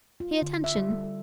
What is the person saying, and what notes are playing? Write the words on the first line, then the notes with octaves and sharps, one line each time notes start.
Pay attention!
F4
D3
E5
G3
A4
A4